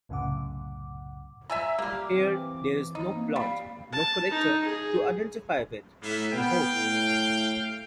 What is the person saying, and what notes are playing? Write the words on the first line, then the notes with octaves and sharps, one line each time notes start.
Here there is no plot, no characters to identify with, no hope.
C2 F#2 A2 C#3 F#5 D6
E5 G#5 A#5 E6
G3 A#3 G4 A#4 D6
E3 C4
D#4
A#3
G3 F5
A5
D#4
G#4
A2 A#3 B3 E5
B3 F5 G5
A2